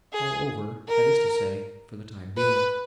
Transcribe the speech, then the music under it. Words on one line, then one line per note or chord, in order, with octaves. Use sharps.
All over, that is to say, for the time being.
G#4
A#4
B4